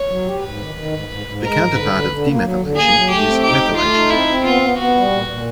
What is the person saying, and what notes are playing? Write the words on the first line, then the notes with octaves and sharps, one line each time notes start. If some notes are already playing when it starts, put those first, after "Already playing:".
The counterpart of demethylation is methylation.
Already playing: C#5
F#3
G4
G#2 B4
D#3
D#3
G#2
G#2
G#2
G#3 A#4
G#2
D3 B4
D3
D3
A#3
F#3
D3
A#3 G#4
F#3
A3 G4
C4
D#4 G4
A3
A3 F4
D#4
C4 E4
C4
B3 F4
B3
B3 F#4
G3
A#2
A#2